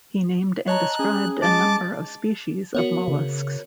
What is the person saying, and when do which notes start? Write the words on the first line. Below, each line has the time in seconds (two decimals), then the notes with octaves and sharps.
He named and described a number of species of molluscs.
0.68 C#5 D#5 A5 A#5 F#6
0.99 C#4 G#4
1.42 G#3 A5 D6
2.75 B3 F#4 A#4 C#5
3.08 C#3